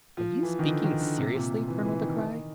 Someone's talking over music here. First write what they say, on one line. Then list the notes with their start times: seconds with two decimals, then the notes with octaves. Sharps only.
"Are you speaking seriously, Colonel De Craye?"
0.17 F3
0.43 E3
0.59 D#3
0.67 D3
0.84 D#3
1.01 D3
1.18 C3
1.35 A#2
1.68 E3
1.85 E3
2.01 D#3
2.18 D#3